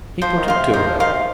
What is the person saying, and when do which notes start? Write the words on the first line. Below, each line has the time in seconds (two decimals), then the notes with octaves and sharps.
He put it to her.
0.22 F3 C5
0.39 D#3
0.48 F5 C6
0.57 C3
0.73 D#3 C5
0.87 F3
1.00 D#3 F5 C6
1.13 C3